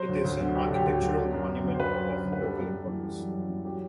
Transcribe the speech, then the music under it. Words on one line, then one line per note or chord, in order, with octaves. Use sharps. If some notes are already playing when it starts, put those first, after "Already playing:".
It is an architectural monument of local importance.
Already playing: F#3 C5
D2
D2
D3
F#3 G4
A4
D2 G4
D2
D3
F#3
F#2
F#2
D3
C5
F#3 B4
F#2
F#2
D3
B4
G3 A4
F#2
F#2
E3
G3
F#2
F#2
E3
F#3 G4